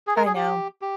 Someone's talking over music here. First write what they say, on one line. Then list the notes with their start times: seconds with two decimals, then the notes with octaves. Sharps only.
I know,
0.07 G#4
0.16 A#4
0.26 G#4
0.35 G4
0.82 G4